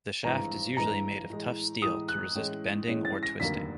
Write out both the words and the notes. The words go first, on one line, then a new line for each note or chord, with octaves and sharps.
The shaft is usually made of tough steel to resist bending or twisting.
G#1 G2 E3 G#3 A#5
G#1 G2 E3 G#3 A#5
A2 E3 G#3
A2 E3 G#3 D#6
F#6
A2 E3 G#3 C#4
A2 E3 G#3 C#4
A6
A#6
F1 D#2 D3 F#3 A#3 B6